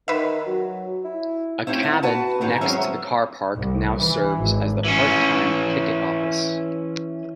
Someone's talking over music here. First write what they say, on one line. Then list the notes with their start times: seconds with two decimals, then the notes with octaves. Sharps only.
A cabin next to the car park now serves as the part-time ticket office.
0.08 D#3 B4 E5
0.46 F#3
1.05 E4
1.67 A3 C4 C#4 E4
1.83 F#5
2.03 F#4 B4 A5
2.41 G#2 D#3 E3
2.61 F#3 G#3 C4 C#4 E5
3.53 C2
3.95 E3
4.38 G#1
4.85 E3 C#4